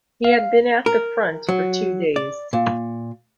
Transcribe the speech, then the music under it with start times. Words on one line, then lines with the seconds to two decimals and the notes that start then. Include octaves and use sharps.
He had been at the front for two days.
0.24 F5
0.86 A#4
1.49 F#3
2.16 D5
2.53 A#2